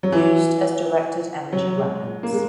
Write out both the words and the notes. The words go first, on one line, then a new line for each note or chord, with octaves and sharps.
Used as directed-energy weapons.
F#3
E3
F#3
G#3
A#3
G#3